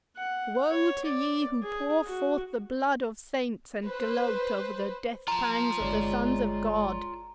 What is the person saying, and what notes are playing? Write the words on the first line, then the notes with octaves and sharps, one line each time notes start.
Woe to ye who pour forth the blood of saints, and gloat over the death-pangs of the sons of God!
F#5
C#5
D5
G#4
F#4
B4 C5
F4 A5 A#5
G1 G#3 C#5 D5